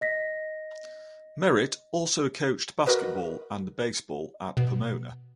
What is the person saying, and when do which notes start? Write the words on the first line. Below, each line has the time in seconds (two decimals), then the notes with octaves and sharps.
Merritt also coached basketball and baseball at Pomona.
0.01 D#5 A#6 B6
2.86 F#4 A#4 B4 D#5
4.57 B2